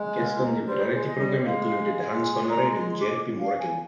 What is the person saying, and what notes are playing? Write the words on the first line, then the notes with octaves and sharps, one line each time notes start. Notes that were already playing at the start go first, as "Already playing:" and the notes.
Guests on the variety program included Hans Conried and Jaye P. Morgan.
Already playing: G#3
F4
A#4
G3 C5
G#3
D#5
G3
G#3 F5
G#5
A#5
C6
D6
F5
G#5